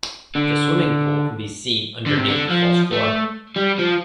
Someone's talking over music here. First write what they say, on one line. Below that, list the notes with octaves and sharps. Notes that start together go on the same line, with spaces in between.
The swimming pool can be seen underneath the false floor.
D3
D3
C3
D3
F3
A3
G3
F3